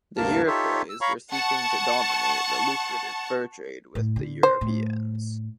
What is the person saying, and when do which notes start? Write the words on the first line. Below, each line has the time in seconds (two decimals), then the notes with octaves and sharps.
The Iroquois were seeking to dominate the lucrative fur trade with the Europeans.
0.17 D2 G2 C3 A#3 A#4 A5
0.47 D#4 F4 G4 A4 C#5 E5
0.89 E6
1.01 C#5 F5 A#5 B5 C#6
1.30 F#5 A5 C#6
3.95 A2
4.16 D3
4.43 C5
4.61 A2